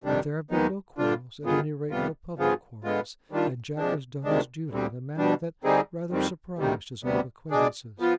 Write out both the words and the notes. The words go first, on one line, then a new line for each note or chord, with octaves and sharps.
But there have been no quarrels, at any rate, no public quarrels, and Jack has done his duty in a manner that rather surprised his old acquaintances.
F2 C3 D#3 G3 D4
D#2 D#3 G#3 B3 D#4
G2 D3 G3 D4 F4
G2 D#3 B3 F4 G#4
F2 C3 G3 B3 F4
G2 F3 B3 F4 G#4
D3 G#3 B3 F4
D#3 G3 D4 F4
C3 F3 G#3 D4
D2 C3 D#3 G#3 D4
D2 D3 G3 C4
B2 G3 D4
D3 G3 C4 D#4 G#4
F2 D#3 G3 C4
D2 C3 D#3 G3
D2 C3 G3 B3
B2 G#3 D4 G#4 D5
F3 B3 F4